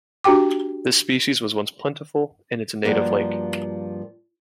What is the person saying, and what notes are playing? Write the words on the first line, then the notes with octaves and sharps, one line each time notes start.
This species was once plentiful in its native lake.
D4 F#4 G4 G5 D6
G2 F3 A#3 F#4 A#4